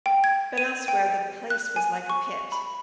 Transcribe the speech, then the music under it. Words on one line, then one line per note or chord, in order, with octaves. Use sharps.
But elsewhere the place was like a pit.
G5
G#6
D#7
G5
F#6
G#5
C#6
B5